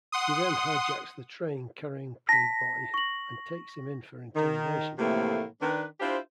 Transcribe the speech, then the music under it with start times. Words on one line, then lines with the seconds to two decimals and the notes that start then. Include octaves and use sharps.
He then hijacks the train carrying Priboi and takes him in for interrogation.
0.12 F#5 C6 D#6
2.29 A5 A#6 B6
2.94 C#6 F#7
4.35 D#3
4.98 A2 C3 E3 F3 A3 A#3
5.61 D#3 D4 B4
6.00 D4 E4 F4 G4 C5